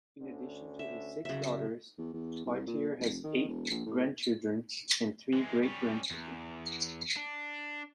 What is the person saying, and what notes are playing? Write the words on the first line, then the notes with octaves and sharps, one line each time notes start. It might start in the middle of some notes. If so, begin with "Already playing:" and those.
In addition to his six daughters, Poitier has eight grandchildren and three great-grandchildren.
D2 D3 C#4
E5
C2 C#3 F#3 E5
E2
E2
C2
A#2
F1
D#3
E1
A#1
A2
E3 G#3
G3 C#4
E2
D4